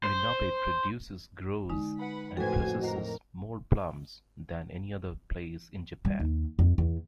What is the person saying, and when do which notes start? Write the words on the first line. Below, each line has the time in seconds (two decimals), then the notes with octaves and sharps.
Minabe produces grows and processes more plums than any other place in Japan.
0.04 C5
1.70 D3 G#3 D#4
1.99 B4 F#5 B5
2.37 F2 A2 F#4 A4 B4 C5 G#5 G#6
2.81 A#4 C5 D#5 A#5
6.05 G3
6.20 D#2
6.59 F2
6.78 E2